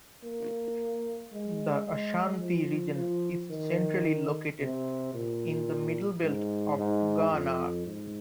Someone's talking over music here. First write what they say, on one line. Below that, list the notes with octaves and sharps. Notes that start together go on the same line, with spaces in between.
The Ashanti Region is centrally located in the middle belt of Ghana.
A#3
G#3
G#3
F3
F3
D#3
C3
A#2
G#2
G#2
F2
G#2